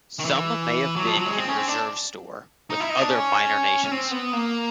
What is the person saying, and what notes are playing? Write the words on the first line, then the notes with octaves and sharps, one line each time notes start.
Some may have been in reserve store with other minor nations.
D#3
E3
F#3
F3
F#3
G#3
C4
C#4
C4
D4
D#4
E4
D#4
D4
C#4
C#4
C4
B3
A#3